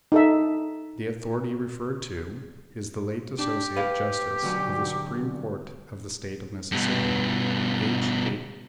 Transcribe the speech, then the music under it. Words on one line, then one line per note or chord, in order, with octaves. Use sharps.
The authority referred to is the late Associate Justice of the Supreme Court of the State of Mississippi, H.H.
D#4 A4 E5
D4 G4
B4 F5
D2 B2 F#3
G2 B2